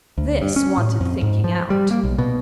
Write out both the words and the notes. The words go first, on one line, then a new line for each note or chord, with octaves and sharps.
This wanted thinking out.
D2
G2
C#4
A2
F2
G#2
F3
G3
A#3
B1
B2